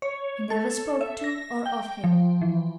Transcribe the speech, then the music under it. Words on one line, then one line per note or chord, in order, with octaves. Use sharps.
He never spoke to or of him.
C#5
A4
E5
A#6
G5
F3
E3